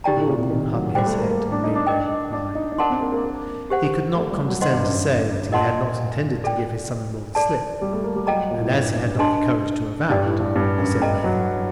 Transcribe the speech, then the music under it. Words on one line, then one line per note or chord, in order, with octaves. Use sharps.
The warden hung his head, and made no reply: he could not condescend to say that he had not intended to give his son-in-law the slip; and as he had not the courage to avow it, he said nothing.
D#4 G4 D5 G5 A#5
A2
A#2
C3
D#3
F#3
G3 F#4 C5 G5
A3
A#3
A#3
A#3
D4
D#4
D4
A#4 D#5 G5
D4
D#4
D#4
D4 A#4 F#5 A5 C6
C4
A#3
A#3
A#3
G4 C5 F#5
A3
G3
F#3
D#3 F#4 C5 D#5 F#5 C6
G2
F#2
G2
A#2 A#4 D#5 F#5 A5 C6
A4 D5 G5
A4 D5 A5
G3
A3
A#3
G3
F#3 A4 D#5 G5 A#5
A#2
A2
G2
G2
D4 A4 D#5 A5 C6
G2 D#4 G4 D5 G5
A2
G2
G2
F#2
G2 A4 D#5 G5 A#5
F#3